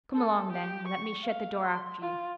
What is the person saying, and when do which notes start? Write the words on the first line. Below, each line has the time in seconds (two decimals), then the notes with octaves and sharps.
"Come along, then, and let me shut the door after you."
0.13 A4
0.52 G4
0.88 C#6
1.24 F5
1.66 C6
2.02 F4